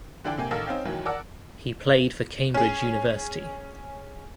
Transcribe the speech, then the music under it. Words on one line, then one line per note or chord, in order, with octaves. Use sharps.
He played for Cambridge University.
D3 E3 D4 A4 G5
C3 A#3 G5 G#5
A1 D#3 A4 A#4 F5
C4 C#4 D#4 F5 G5
D#2 D#3 E3 F#3
A#4 D5 F#5 A5 E6
C#4 G#4